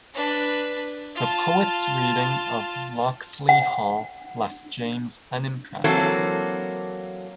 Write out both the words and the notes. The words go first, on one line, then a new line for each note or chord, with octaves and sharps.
The poet's reading of "Locksley Hall" left James unimpressed.
D4 B4
F4 A5
F#5
E3 F#3 A#3 C4 A4